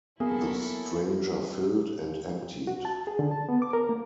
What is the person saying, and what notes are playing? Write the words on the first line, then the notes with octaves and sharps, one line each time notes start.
The stranger filled, and emptied.
F#3 A#3 B3 E4 G#4 A4
F#4
A5
G#4
D3
A5
B3
D6
A#4
A#3